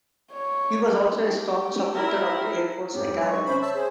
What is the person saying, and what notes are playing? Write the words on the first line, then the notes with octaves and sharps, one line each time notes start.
He was also a strong supporter of the Air Force Academy.
C#5
G4
E4 A#4
F2 G#2 B3 G4 C#5
F#3 G#3
C#6
C3 C#4 C5 B5
C#5 E5 A5 E6
G#4 C5